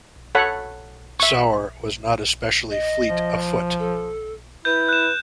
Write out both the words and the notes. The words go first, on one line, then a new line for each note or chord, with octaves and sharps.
Sauer was not especially fleet afoot.
A4 C#5 F#5 B5
E5 C#6
D#5
F3
A4
E4 B4 G6
F#6 E7